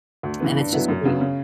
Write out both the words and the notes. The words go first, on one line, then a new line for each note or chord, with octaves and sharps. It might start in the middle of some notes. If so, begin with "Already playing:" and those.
and it's just a great
D2
C#3 E3 B3
G2
F#3 B3 E4
F#2
C#3 F#3 B3
C#3